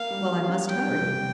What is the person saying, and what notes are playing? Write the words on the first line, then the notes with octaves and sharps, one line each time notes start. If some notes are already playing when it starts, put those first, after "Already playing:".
Well, I must hurry.
Already playing: A#3 F5
G3
G3
C#4
G3 G5
C3
C3